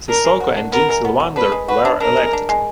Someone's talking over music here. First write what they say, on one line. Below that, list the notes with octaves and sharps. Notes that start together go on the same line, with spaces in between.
Sissoko and Jean Silvandre were elected.
D4 A#4
G#3
F#4
D4
B3 A#4
G#3
B3
F#3
D4 B4
G#3
F#4 B4
D4
D4 A#4
G#3
D4
G#3